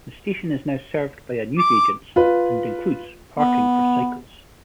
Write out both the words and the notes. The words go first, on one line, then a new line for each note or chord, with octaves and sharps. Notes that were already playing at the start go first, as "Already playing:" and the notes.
The station is now served by a newsagents, and includes parking for cycles.
D6
F4 B4
B3